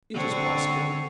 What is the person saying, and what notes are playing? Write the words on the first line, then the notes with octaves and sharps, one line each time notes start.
"It is possible."
D3 C4 C#5